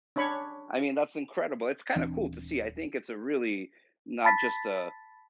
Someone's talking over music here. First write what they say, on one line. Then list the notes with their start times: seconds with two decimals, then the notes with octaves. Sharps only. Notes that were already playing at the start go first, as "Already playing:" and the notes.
I mean, that's incredible. It's kinda cool to see. I think it's a really not just a,
0.16 C#4 D4 C#5 B5 C#6
1.95 D#1 E3 C4 D4
4.24 A5 B5 A6 B6